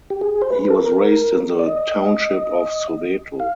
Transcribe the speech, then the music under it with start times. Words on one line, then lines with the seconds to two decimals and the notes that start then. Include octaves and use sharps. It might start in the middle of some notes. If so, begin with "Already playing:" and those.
He was raised in the township of Soweto.
0.10 G4
0.21 G#4
0.42 C5
0.51 B4
0.70 A4
0.79 A#4
1.59 D5
1.66 D#5
3.40 F5